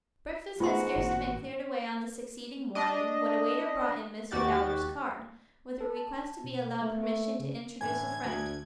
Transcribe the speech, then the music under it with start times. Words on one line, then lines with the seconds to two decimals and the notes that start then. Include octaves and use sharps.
Breakfast had scarcely been cleared away on the succeeding morning, when a waiter brought in Mr. Dowler's card, with a request to be allowed permission to introduce a friend.
0.60 G#2 A3 B3 F4 F#4 F#5 C6
0.96 G#1 A#2 C4
2.75 D4 D#5
4.31 D#2 F#4 G4 A6
5.81 A4
5.97 A5
6.44 B2
6.82 A3
7.03 A3
7.39 C#3
7.81 A2 D3 E3 G#5 G#6
8.25 D2 D3 F#7